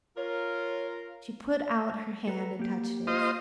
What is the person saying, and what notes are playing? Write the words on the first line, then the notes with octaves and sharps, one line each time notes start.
She put out her hand and touched his.
F4 A#4 C#5
A4 B4 A#5
A#3 G4
F4 C5 D#5